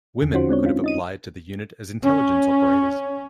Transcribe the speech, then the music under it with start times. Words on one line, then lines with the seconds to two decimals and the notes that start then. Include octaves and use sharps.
Women could have applied to the unit as Intelligence Operators.
0.22 E2 D3
0.33 C#4 D#4 F4 F#4 C5
0.49 G#3 C4 D4 C#5
0.63 C4 C#4 D#4 F4
0.84 D#4 D#5 D#7
2.02 C#4